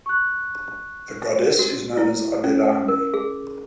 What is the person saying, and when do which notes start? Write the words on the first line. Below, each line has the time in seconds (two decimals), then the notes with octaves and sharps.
The Goddess is known as Abirami.
0.06 C#6 F#6
1.59 F#4
1.97 E4
2.44 C#4
2.88 A#4
3.14 G#4